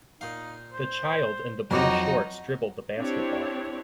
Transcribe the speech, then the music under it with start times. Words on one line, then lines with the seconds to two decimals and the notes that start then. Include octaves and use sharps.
The child in the blue shorts dribbled the basketball.
0.21 A#2 D#4 F5
0.73 C5
1.71 F2 F3 F#3 D#4 F#4 A#4 C#5 D6
2.97 C4 D4 E4 G4 C#5